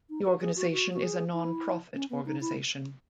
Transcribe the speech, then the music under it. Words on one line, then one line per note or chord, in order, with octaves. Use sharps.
The organisation is a non-profit organisation.
D#4
F#4
G#4
F#4
F#4
F#4
G#4
E4
C#4
B3
D#4
E4